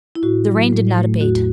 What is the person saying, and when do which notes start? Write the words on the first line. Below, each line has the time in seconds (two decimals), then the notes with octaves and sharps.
The rain did not abate.
0.15 E4
0.23 A2 F#4
0.48 F#3
0.73 A2
0.97 A3
1.21 E2 F#4